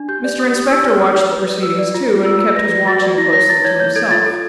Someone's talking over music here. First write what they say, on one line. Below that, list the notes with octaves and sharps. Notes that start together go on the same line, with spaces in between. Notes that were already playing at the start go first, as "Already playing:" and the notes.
Mr Inspector watched the proceedings too, and kept his watching closely to himself.
Already playing: D4
G4 G6
D5
G4 D#6
G4 D#6
E4 E6
C#5 F6
E4 D#6
C#5
B4
D5
B4 E6
D5
F4
F4
F4 E6
F4 E6
B4 A#6
D5 A#6
F#4 A6
D5
E4 A#6
C#5 A#6
E4 A6
C#5 G#6
C#5 G6
A4 G#6
G#6
F4 A6
A4